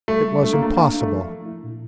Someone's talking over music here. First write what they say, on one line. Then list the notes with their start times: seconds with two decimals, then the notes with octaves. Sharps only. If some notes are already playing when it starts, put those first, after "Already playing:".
It was impossible.
0.08 G3 A3
0.25 G3
0.43 A3 D4
0.53 A#3
0.60 A3 D4
0.77 A#3 D4
0.94 D4
1.01 A3
1.12 F3
1.29 A3
1.46 E4
1.64 A#2